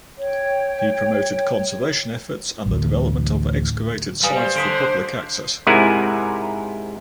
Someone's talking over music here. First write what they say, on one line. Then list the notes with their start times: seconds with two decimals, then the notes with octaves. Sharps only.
He promoted conservation efforts and the development of excavated sites for public access.
0.19 C#5 G5
2.66 A1 D2
4.23 G3 B4 F5 G#5 D#6
4.35 C5
4.56 D3 D#6 B6 D7
5.67 G#2 C3 E4 A#4 F#5 G#5